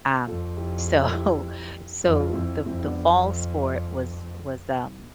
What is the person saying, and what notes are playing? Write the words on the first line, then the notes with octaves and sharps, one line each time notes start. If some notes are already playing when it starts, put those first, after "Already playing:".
Um, so so the the fall sport was was, um
F2 F4 A4
E4 G4
G4
A4
E4 G4
F2 E4
F4
F2 C4 E4
F2 C4 E4
E4
B3 D4